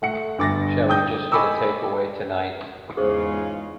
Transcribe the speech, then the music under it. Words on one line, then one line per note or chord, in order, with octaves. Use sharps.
Shall we just get a takeaway tonight?
A3 F#5 C#7
G1 D6 A6 A#6
G5 D#6 G6
D#5 G#5 B5 C#6 D6 E6
E2 G#2 C#3 G#3 F4 G#4 C5 D#6